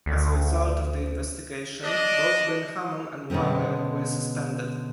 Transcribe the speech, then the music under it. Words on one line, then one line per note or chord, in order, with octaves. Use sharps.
As a result of the investigation both Bin Hammam and Warner were suspended.
D2
D4 D5 D#5
B2 D3 G#3 C4 C#4